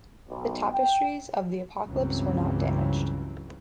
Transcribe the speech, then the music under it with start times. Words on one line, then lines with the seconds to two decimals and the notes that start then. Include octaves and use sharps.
The Tapestries of the Apocalypse were not damaged.
0.29 B1
0.72 G5
1.87 C#2 G2 C#3 E3 F#3 C4